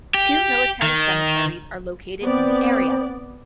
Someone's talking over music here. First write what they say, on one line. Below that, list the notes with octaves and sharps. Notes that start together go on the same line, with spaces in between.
Two military cemeteries are located in the area.
G4
D#3
B3 C4 C5 D5